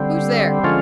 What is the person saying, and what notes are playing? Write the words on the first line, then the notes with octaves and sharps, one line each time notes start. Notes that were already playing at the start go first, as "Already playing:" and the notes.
"Who's there?"
Already playing: D3 G3 C4
D3 F3 G#3 C#4 F4